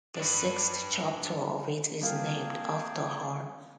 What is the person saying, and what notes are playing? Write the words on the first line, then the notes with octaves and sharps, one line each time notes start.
The sixth chapter of it is named after her.
D4 B4
E3 G3 A#3 C4 G#4 F5 G5 A5